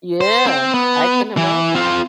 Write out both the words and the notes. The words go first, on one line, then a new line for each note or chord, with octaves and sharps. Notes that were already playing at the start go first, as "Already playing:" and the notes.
Yeah, I can imagine.
C5
C4
B3
E3
C4 F4